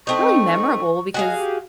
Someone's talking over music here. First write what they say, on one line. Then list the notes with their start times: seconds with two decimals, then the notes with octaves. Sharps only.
really memorable, because,
0.07 A3 C4 D#4 C#6
1.14 F#4 G#4 D#5 F5
1.37 G4